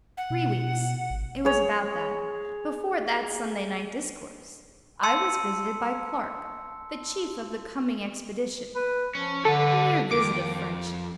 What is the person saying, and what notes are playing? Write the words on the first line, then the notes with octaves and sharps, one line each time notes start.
Three weeks--it was about that--before that Sunday night discourse, I was visited by Clark, the chief of the coming expedition--a mere visit of friendship.
F#5
B2
G#1
G#4 C#5
A5 C6 E6 C#7
B4
F3 C#4
D3 G4 A4 B4
F2 D#3 D6 D7